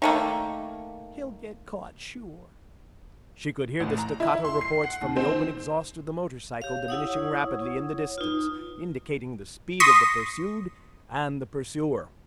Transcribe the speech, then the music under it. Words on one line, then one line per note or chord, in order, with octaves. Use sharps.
"He'll get caught sure." She could hear the staccato reports from the open exhaust of the motorcycle diminishing rapidly in the distance, indicating the speed of the pursued and the pursuer.
D#3 A3 A#3
A1
A#5
E4
C6
C7
F#5
D#2
C4
D#3
G4 C#5 F5
E4 F#5 D#6
C#5
C#5
D#4 F4 B4
C6 C#6 D#6 A#6 B6